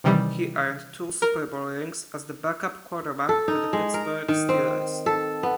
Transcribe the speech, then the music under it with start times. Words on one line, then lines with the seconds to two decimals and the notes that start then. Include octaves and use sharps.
He earned two Super Bowl rings as the backup quarterback for the Pittsburgh Steelers.
0.04 C3 D#3 E3 G3
1.22 A#4
3.29 A4
3.48 D#4
3.73 G#3
3.94 A#4
4.28 D#3
4.49 C4
5.06 A4
5.43 B3